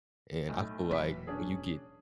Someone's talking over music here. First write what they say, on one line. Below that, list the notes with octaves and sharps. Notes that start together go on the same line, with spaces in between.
and I feel like you get
B1 A2
E1 A#2 E3 F#3 B6
C#4 D4 G#4